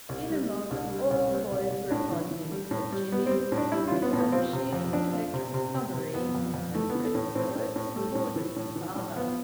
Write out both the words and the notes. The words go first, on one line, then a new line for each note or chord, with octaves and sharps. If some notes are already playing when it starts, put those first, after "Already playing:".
In a moment all the boys were upon him, except Jimmie, who, out of sheer intellectual snobbery, as the rest averred, supported his father.
C2
G3
G3
C2 D4
G3
C2
G3
C2
C2
A2 D4
E3
E3
G3
A2
G3
G3 B3
G3 C4
A2
D4
G3 E4
E3 F4
B3
A2
B3
F3 C4
C3
F2
F2 D4
F3
C3
C3
C3
C3
F2 B3
F2
F2
E3 A3
B3
E3
A4
A2
A2 C4
A2
A2
G3 A3
A2
E3
A2
E3
A2
F3 B3